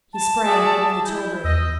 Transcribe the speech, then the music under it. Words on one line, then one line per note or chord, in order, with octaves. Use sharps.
He sprang out of the tilbury.
A5
F#4 G#4 D5 E5
E4 G6
E2 D#5 E6